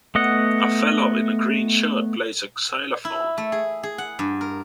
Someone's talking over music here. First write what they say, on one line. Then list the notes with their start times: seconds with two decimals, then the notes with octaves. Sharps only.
A fellow in a green shirt plays a xylophone.
0.15 A3 B3 D#5 F#5
3.05 E4
3.38 A3
3.52 G#4
3.83 G#4
3.98 F#5
4.19 G2
4.41 A#4